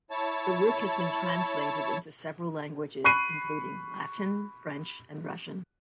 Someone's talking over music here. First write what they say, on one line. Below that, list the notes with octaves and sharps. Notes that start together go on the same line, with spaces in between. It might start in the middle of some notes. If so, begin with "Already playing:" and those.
The work has been translated into several languages including Latin, French and Russian.
E4 C#5 A5
B5 C#6 F#6 C7 D#7